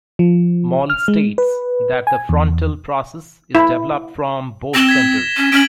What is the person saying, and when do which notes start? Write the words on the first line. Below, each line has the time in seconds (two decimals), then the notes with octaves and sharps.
Mall states that the frontal process is developed from both centers.
0.19 F3
0.90 F6
1.08 G#3
1.38 B4
2.07 G#5
2.29 E2
3.55 E4
4.75 C4 A#6 E7 G7
4.89 G#6 B6
5.37 C#4
5.52 C#4 D7 F#7